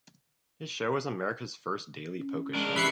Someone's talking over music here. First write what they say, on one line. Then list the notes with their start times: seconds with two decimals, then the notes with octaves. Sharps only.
His show was America’s first daily polka show.
2.16 C#4
2.54 G#3 D4 A#4
2.76 E3 G4 B5 C7 C#7